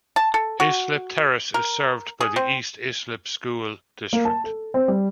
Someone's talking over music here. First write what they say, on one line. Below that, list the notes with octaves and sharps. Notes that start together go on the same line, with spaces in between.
Islip Terrace is served by the East Islip School District.
A5
A4
F#4
A#4
G#4
C4
A#3
A5
A4
C4
G3